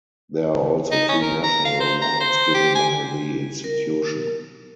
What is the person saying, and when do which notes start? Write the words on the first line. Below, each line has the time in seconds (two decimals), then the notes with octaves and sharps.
There are also two national awards given by the institution.
0.92 D#4
1.09 C#4
1.22 A#4
1.43 A#5
1.65 F5
1.80 C5
2.02 A#5
2.20 C5
2.54 G4
2.75 G#5
3.64 A#4